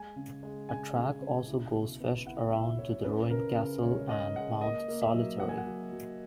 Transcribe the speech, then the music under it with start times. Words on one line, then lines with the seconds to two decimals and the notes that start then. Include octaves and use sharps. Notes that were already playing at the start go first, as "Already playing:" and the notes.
A track also goes west around to the Ruined Castle and Mount Solitary.
Already playing: G#3 G#5
0.16 C#3
0.43 G#3
0.69 C#3 G#5
0.96 C#3
1.21 C#3
1.47 E4
1.74 B2
2.00 B3
2.26 E4 F#5
2.52 E4 E5
2.78 E4 C#5
3.04 C#4 B4
3.30 C#3 A#4
3.57 C#3
3.83 G#3 C#5
4.09 G#3 D#5
4.36 G#3 F#5
4.61 A#3 D#5
4.88 A#3
5.01 E5
5.14 F#3
5.40 A#3 F#5
5.49 G#5
5.58 F#5
5.66 F#3
5.92 F#3